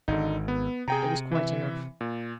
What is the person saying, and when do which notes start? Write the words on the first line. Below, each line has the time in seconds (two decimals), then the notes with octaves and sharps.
It was quite enough.
0.08 G#1 D3 D#4
0.48 B3
0.88 C3 G#4 G5 A#5
1.31 E3 E5
2.01 A#2